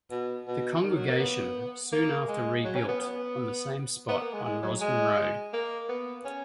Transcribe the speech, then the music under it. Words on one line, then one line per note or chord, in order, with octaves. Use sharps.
The congregation, soon after rebuilt, on the same spot on Rosman Road.
B2
B2
D#3
F#3
A#3
B3
A#3
G#3
F#3
C#4
B3
B3
B3
A#3
G#3
G#3
F#3
G#3
A#3
B3
C#4